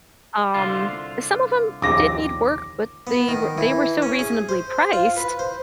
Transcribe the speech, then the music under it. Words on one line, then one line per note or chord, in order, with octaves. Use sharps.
Um, some of 'em did need work, but they were they were so reasonably priced
C2 D3 F4
A#1 D#2 A#2 D6 A#6
B3
D#3
E3
C#4
G#4
C5
F4
B4
C5